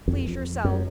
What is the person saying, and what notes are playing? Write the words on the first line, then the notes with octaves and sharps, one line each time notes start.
Please yourself.
F2
F#2